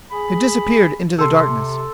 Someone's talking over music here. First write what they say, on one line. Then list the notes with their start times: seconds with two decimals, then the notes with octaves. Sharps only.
They disappeared into the darkness.
0.11 G#4 B5
1.18 C3 A4 C6